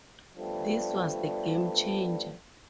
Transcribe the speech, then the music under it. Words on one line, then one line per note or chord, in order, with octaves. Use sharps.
This was the game changer.
F3 G3 A3 B3 D4